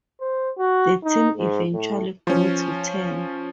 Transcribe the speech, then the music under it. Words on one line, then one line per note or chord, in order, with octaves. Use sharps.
The team eventually grew to ten.
C5
F#4
D#4
G#2
A2
F3 C#4